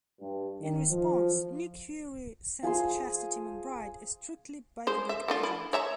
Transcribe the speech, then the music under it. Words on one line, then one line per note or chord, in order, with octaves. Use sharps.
In response, Nick Fury sends Chastity McBryde, a strictly by-the-book agent.
G2
D#3
F3
F3 G#4 A5 C6
G#3 C5
E5
A3 D4 F4
E4
C#5 E5 A#5